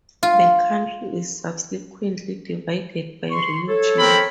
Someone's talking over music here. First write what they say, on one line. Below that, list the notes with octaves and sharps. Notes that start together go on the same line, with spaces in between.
The country is subsequently divided by religion.
F4
C6 C#6
A4 C#5
C4 A#4 B5